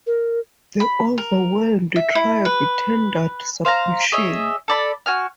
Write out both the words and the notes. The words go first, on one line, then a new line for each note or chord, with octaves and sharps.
The overwhelmed tribe tendered submission.
A#4
B5
A#4
E5
E4
B4
C5 F5 G#5 A#5
G#4 C#5 D#5 E5
A4 D5 B5
F#4 G#5 F6